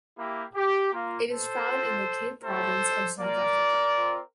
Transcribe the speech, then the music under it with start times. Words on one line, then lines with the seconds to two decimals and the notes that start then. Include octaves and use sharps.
It is found in the Cape Province of South Africa.
0.17 A#3 E4 G4
0.55 G4
0.92 A#3 F4
1.30 A4 C5
1.68 C4 F4
2.43 A3 E4 G4 A4 C5
3.18 A#3 F4 A#4 D5
3.93 C4 F4